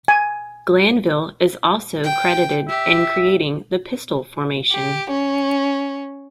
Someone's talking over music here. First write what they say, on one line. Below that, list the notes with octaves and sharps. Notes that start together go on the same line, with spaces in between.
Glanville is also credited in creating the Pistol formation.
G#5
G5
G4 E5
G4
C#4